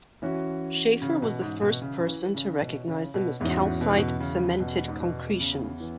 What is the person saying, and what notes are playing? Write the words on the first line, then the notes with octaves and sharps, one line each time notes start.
Shaffer was the first person to recognize them as calcite-cemented concretions.
E3 C#4 F#4
C#3
B2
G#2
B2
C#3
C#3
E3
C#3
B2
C#3
B2
E2 G#2 E3 C#4 F#4
B2
G#2
B2
C#3
B2
G#2
B2
C#3
E3